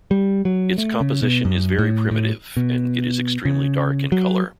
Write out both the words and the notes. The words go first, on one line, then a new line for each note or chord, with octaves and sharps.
Its composition is very primitive and it is extremely dark in color.
G3
F#3
A3
C#3
B2
F#2
A2
A2
B2
C#3
F#3